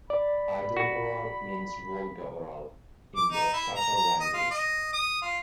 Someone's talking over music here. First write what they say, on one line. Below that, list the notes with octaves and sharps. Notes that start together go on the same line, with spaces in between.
"Idel-Ural" means "Volga-Ural" in the Tatar language.
D5 B5
F#4
D6
D#4
E4
A#5
A#5
D#5
F4
D#5
D#6
F4